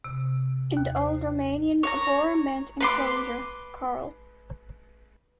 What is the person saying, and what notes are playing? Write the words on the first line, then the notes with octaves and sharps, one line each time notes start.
In old Romanian "obor" meant "enclosure, corral".
C3
D#2
C5
C#5 A#5
B4 C6 D6